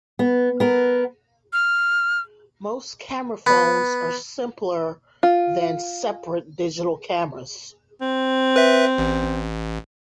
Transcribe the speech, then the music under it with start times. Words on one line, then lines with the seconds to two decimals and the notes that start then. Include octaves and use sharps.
Most camera phones are simpler than separate digital cameras.
0.19 B3
0.60 B3 A#4
1.53 F6
3.47 B3
5.23 F4
8.01 C4
8.56 B4 E5
8.98 A1